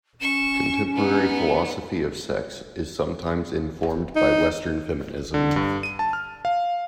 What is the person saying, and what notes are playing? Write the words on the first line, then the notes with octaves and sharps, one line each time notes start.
Contemporary philosophy of sex is sometimes informed by Western feminism.
C#4 C#6 E7
B3 D#4
D#4
D3
G2
D#7
A5
F6
F5